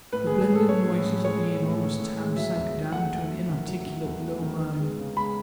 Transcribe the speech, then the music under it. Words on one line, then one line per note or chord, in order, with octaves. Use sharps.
The blended noises of the enormous town sank down to an inarticulate low murmur.
A2 B4
A2 G#4
G#4
C#4 A4
C#4 C#5
A2
A2
G#3 C#5
A2
A2
C#4
A2
G#3
F#3 E5
E2
E2
A3 F#5
A3
F#3
D#3
F#3
D#3
E2
A3
D#3
B3
G#3
C#3
G#3 B5